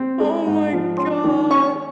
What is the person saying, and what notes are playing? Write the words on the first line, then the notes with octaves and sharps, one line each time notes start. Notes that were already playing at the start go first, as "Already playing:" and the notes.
Oh, my god.
Already playing: C4
G#3
G#2
F3
C#4 C6
D#3
C#4 C#6